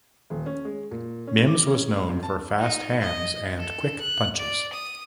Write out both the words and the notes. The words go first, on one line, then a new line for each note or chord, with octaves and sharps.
Mims was known for fast hands and quick punches.
D#1
C#4
G#3
A#2
C#4
D6
C#4
F2
A5
D#4
D#5
A4
F#6
D5
D#6